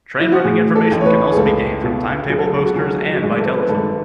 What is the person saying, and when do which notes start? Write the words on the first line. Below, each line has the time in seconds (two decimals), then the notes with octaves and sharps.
Train running information can also be gained from timetable posters and by telephone.
0.20 E4
0.32 F#4
0.44 A2 G#4
0.75 A4
0.91 A1
1.01 C#5
1.06 B4
1.32 G#4
1.36 C#2 A4
1.84 B2
2.30 F#3 G#4
2.39 A4
2.49 G#4
2.65 F#4
2.75 F#3 G#4
3.13 F#4
3.22 G#1 G#4
3.40 A4
3.45 B4
3.62 B4
3.68 G#1 A4